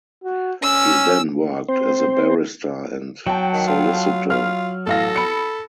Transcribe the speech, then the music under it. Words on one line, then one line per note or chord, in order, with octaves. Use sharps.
He then worked as a barrister and solicitor.
F#4
C#4 E6
C4 C5
F#3 G5 A5
D#3
F4
F4 F6
A1 A4 F5 A#6
B5 C#7